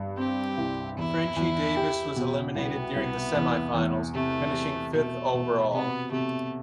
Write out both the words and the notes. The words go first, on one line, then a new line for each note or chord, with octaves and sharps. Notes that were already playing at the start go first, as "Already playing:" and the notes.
Frenchie Davis was eliminated during the semi-finals, finishing fifth overall.
Already playing: G2
C4 G4
C2
E2 E4
E2
G4
B2
C2 B3
C2
E2
E2
C3 A3
C3
B2 A3
B2
C3 B3
C3 A3